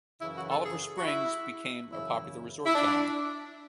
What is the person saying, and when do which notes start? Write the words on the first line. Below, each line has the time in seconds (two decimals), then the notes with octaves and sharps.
Oliver Springs became a popular resort town.
0.20 F#2 C#3 E3 E4
0.34 F#4
0.49 A4
0.63 G#4
0.98 F#4
1.05 E4
1.90 F#2 C#3 E3 E4
2.66 E4
2.74 D4